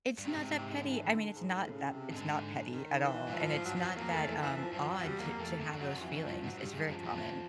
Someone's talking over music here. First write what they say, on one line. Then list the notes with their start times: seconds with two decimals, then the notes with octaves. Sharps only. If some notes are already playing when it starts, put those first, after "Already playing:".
It's not that petty, I mean, it's not that it's not petty at all, and it's not that, um, odd to to have those feelings, it's very common.
0.18 G2
0.27 G#2 C3
0.43 C3
0.58 C3
0.74 D3
0.89 E3
1.04 D3
1.35 G#2
1.50 A2
1.71 C#3
1.91 C3
2.12 G#2 D3
2.73 D#3
3.04 E3
3.28 G2
3.35 G#2 F3
3.50 G#2
3.65 G2 F#3
3.75 F2 F3
3.82 F#2
3.84 F#3
3.96 F2 A#3
4.12 E2 A3
4.27 F2 E3
4.42 F#2 E3
4.58 F3
4.73 G2 F3
4.79 F#2
4.88 F#3
4.99 E2
5.04 G3
5.19 F2 A#3
5.40 F2 A3
5.61 F#2
5.73 F#2
5.81 F2 F#3
5.91 F#2
5.96 F2
6.01 E3
6.12 F#2
6.22 G2 F3
6.43 G#2 F#3
6.58 G2 G3
6.73 G2 G#3
6.88 F#2 F3
7.04 E2
7.17 F2